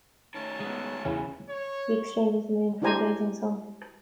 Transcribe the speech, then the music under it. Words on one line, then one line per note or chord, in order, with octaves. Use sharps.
He exchanges the moon for the blazing sun.
D#3 A3 C#4 A5
G#3 B3
E2 C#3 E3 C#4
C#5
D4 E4 G4 C5 G#5 A#5